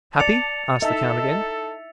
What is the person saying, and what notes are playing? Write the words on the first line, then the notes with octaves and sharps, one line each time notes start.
"Happy?" asked the count again.
D5 A5 A6 C#7 F7
D#4 A4 E5 A5